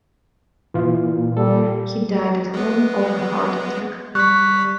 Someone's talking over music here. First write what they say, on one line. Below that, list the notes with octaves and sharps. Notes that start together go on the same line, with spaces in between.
He died at home of a heart attack.
A#2 E3 F4
G3 A4
G#3 B3
G3 C#6 F#6 B6